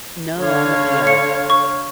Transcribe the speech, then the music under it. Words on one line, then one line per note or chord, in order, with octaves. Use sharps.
No, I'm a Leo.
D3 C#5 F5
C#7
C#6